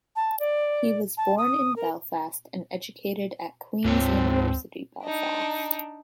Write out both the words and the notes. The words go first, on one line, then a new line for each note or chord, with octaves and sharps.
He was born in Belfast and educated at Queen's University Belfast.
A5
D5
A5
D#6
A#4
D2 G#2 C4 F4 C#5
D4 D#4